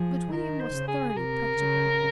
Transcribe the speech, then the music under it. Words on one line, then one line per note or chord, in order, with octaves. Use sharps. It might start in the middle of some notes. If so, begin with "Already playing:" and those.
But William was thoroughly practical.
Already playing: F3 G#4
D#3 A#4
C5
C#3
G#4
G#4
C3 A#4
C#3